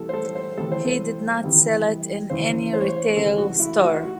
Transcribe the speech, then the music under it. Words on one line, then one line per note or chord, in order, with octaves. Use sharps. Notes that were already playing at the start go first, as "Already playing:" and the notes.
He did not sell it in any retail store.
Already playing: C2 C3 E3 A4
C5
A4
C5
C2 C3 E3 A4
C5
A4
C2 C3 E3
E2 C#3 E3 C5
C5
C#5
C5
C#2 C3 E3 A4
F#4
E4
F#4
F#4